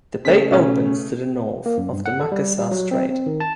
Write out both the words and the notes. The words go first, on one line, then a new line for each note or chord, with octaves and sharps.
The bay opens to the north of the Makassar Strait.
C#3 A3 B6
B2 C#4
A#3
F#2
G2
F#5
A4
G3
G3
F#3
C4
C4
D#3
A5